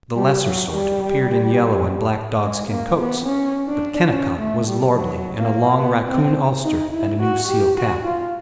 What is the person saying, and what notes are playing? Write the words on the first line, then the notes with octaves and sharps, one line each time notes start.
The lesser sort appeared in yellow and black dogskin coats, but Kennicott was lordly in a long raccoon ulster and a new seal cap.
G3
F#3
G3
G#3
A#3
B3
C#4
D4
C#4
A3
G3
F#3
A#3
B3
C4
D#4
E4
F#4
G4
F#4
F4